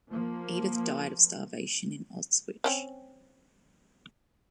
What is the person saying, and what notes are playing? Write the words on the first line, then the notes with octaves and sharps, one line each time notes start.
Edith died of starvation in Auschwitz.
F3 A#3
C4 C#4 G5